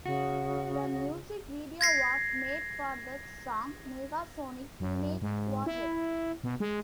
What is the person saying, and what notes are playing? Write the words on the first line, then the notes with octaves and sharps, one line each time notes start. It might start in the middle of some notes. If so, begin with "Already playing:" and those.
A music video was made for the song "Negasonic Teenage Warhead".
C#3 F#4
G#6 A#6 C7
F#2
G#2
E4
B2
G#3